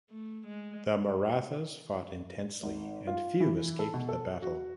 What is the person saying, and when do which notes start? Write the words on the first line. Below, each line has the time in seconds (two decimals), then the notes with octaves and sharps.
The Marathas fought intensely and few escaped the battle.
0.10 A3
0.47 G#3
2.63 G#1
3.07 F4
3.40 E3
3.79 A4
3.94 B2
4.09 A4
4.42 F#4